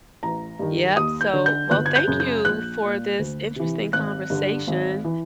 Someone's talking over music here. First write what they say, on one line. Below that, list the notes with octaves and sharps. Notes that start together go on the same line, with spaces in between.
Yup, so well, thank you for this interesting conversation
A1 A#5
G2 D#3
D#2 D#6
G6
D3
G6
G1 F#6
G#6
G6
F#2 C#3
G6
A#1 F#6
A#2
D2
C3 E3
G#1 F#6
G2 D3
G#1
E3